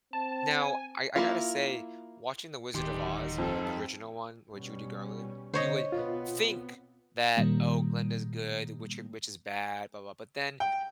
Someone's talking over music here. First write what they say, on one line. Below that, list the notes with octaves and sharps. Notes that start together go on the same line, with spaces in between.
Now I I gotta say, watching the Wizard of Oz, you know, the original one, with Judy Garland, you would think that, "Oh, Glinda's good, witch, er, witch is bad, blah blah blah," but then
C4 A5
G#5
A#3 E4 F4
D1 D#3 D#4 G4 C6
F2 F4 A4
B2 G3 C#4
D3 C5 C#5 D#5
B2 B3 C4 F4
A#2 D#3 G3 A#3
G5